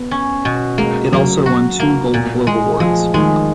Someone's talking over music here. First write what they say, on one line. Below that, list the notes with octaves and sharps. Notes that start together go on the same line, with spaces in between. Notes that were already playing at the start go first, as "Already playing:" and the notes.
It also won two Golden Globe awards.
Already playing: B3
C#4
B2
G#3 A#3
F#3 A#3
F#4
A#3
A#2
G#3
F3 G#3
D#3 G#3